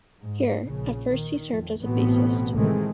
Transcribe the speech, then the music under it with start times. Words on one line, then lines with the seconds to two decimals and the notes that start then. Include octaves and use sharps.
Here, at first he served as a bassist.
0.21 G#2
0.68 A#1 C#3
1.09 D#3
1.49 F2
1.81 A1 B2 B3 C4
2.56 C3 D#3 E3 G#3 A3 C4